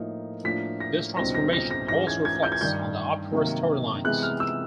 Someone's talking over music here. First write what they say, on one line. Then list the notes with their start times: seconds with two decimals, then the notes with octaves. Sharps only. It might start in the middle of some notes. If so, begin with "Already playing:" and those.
This transformation also reflects on the opera storylines.
Already playing: A2 F3 A#3 D#4
0.44 A2 F3 A#3 D4 B6
0.80 A#6
1.16 C#2 B2 G3 C4 D#4 A#6
1.35 A#6
1.53 A#6
1.71 A#6
1.88 G#2 E3 G#3 C#4 A#6
2.07 G#6
2.25 G#6
2.43 G6
2.52 G#6
2.61 G2 D#3 G3 G6
3.32 C3 D#3 F#3 A#3
4.04 C3 E3 G#3 B3 F#6
4.23 F6
4.40 E6